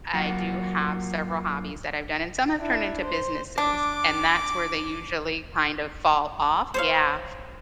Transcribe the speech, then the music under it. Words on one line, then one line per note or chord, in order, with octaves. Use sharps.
I do have several hobbies that I've done, and some have turned into businesses, and that's where they usually kind of fall off Yeah,
F#3 A#3 F4 F#4
D4 E4
C5
D4 D6
C5 C#5 F5